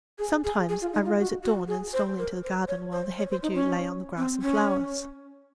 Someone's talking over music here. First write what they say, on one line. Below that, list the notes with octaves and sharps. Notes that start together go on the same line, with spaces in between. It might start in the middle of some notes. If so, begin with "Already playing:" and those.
Sometimes I rose at dawn and stole into the garden while the heavy dew lay on the grass and flowers.
G#4
G#4
G#4
F4
D#4
F4
F#4
F#4
G#4
C5
A#4
C5
C#5
C5
C#5
C5
D#4
C#4
C4
C#4